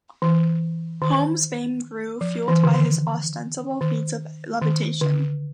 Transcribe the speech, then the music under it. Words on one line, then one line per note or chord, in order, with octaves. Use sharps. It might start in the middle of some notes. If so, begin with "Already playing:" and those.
Home's fame grew, fuelled by his ostensible feats of levitation.
E3
D#3
F3
E3
D3
D#3
D#3
D#3
D3